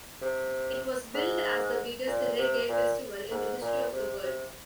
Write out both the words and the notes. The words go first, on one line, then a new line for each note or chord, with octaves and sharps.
It was billed as the "biggest Reggae festival in the history of the world".
C3
G#2
A#2
C3
A#2
G#2
A#2
C3
C3